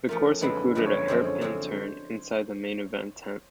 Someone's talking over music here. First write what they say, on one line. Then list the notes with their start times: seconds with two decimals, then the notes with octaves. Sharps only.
The course included a hairpin turn inside the main event tent.
0.09 F3 A3 C#4 F4 A#4
0.41 F#2 D3 F3 G#3 C4 B4
0.75 F#2 D3 F3 G#3 C4 B4
0.86 C#5
0.98 C#5
1.08 F#2 D3 F3 G#3 C4 C5
1.25 C#5
1.41 F#2 D3 F3 G#3 C4